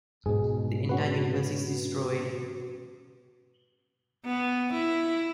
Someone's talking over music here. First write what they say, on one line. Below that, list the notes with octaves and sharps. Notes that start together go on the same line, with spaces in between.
The entire universe is destroyed.
G#2 B2 G#4
C#4 F#4 B4
B3
E4